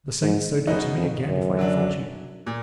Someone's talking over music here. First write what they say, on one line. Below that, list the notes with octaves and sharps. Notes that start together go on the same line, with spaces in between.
The saints so do to me again if I default you.
G#2
F#2 B2 G#3 B3 D#4 F#4
F2
F#2
D3 F#3 D4
A#2